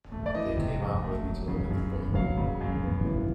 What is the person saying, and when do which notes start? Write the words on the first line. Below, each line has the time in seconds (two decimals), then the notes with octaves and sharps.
They came out with me to look at the boy.
0.12 A3
0.26 D5
0.35 E3 D#5
0.57 C3
0.80 F2
1.02 A3
1.25 F#3
1.48 C#3
1.70 F#2
1.93 B3
2.15 F#3 F5
2.37 C#3
2.61 F#2
2.83 B3
3.06 E3